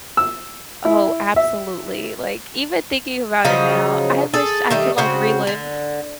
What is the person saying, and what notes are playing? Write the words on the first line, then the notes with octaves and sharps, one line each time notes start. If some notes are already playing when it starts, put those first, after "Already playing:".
Oh, absolutely, like, even thinking about it now, I wish I could, like, relive
E6
E4
E5
C#3 F3 F#3 D#4
G#4 A4
D#3 G3 A3
C#3 C4 F#4
D3